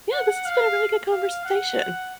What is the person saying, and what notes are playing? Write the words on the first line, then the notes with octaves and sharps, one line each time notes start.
yeah, this has been a really good conversation.
F#5
F5
F5
F#5